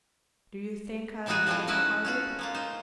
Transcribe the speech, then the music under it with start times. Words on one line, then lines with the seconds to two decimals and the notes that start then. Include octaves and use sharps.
Do you think I'm light-hearted?
1.26 C3 E3 D#4 F4 F#4 G#4
1.47 F3 A3 C4 E4 F4
1.67 C#4 D#4 E4 F#4 B4
2.05 C#4 F4 F#4
2.39 G#3 A#3 F4
2.54 D#4 C5